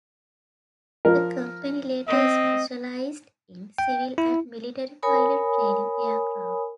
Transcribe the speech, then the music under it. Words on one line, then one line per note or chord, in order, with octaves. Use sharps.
The company later specialised in civil and military pilot training aircraft.
F3 A#4
C4 D#5
G5
E4
A#4 C#5 G#5 B5 D#6